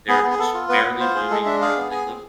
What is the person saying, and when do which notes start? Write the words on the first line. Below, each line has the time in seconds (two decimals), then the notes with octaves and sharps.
They're just barely moving around, they look
0.08 B3 G#4
0.24 B3
0.31 G#4
0.39 B3 A4
0.54 F4
0.69 B3 B4
0.85 B3
1.00 F4 C5
1.15 G#4
1.30 G#3 A4
1.45 D4 E5
1.61 G#4 F5
1.77 B3
1.91 G#4 G#5
2.07 C4